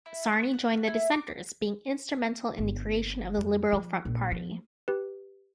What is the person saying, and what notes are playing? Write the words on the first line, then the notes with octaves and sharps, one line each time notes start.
Sarney joined the dissenters, being instrumental in the creation of the Liberal Front Party.
E4
C#6
F#5
E4
D6
G1
F2
F3
A#1
F3 B3
G4 B4